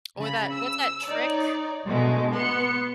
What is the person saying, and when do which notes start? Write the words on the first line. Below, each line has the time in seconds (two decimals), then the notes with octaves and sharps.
Or that what's that trick?
0.18 C#3 B5
0.52 E6
1.04 D#4 C#5 D5
1.86 G#2 B2 D3 G#3 A3
2.32 B3 C6 C#7